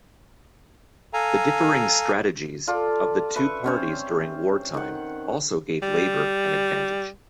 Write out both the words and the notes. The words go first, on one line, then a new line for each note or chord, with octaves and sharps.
The differing strategies of the two parties during wartime also gave Labour an advantage.
A4 F5 G#5 A#5
F4 A4 D5
B4 E5 C#6
C4 C#4 C5
D#3 F#5
G3